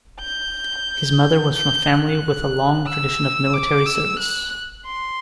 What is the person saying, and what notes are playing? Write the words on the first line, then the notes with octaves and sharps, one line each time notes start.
His mother was from a family with a long tradition of military service.
G6
G6
F#6
E6
D6
E6
F#6
C6